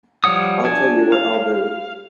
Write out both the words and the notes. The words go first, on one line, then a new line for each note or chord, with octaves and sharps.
I'll tell you what I'll do.
F3 G3 C#5 F#5 D#6
D4 G#5
F5